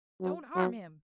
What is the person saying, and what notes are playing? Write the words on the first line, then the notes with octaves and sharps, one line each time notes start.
"Don't harm him!"
F#3
F#3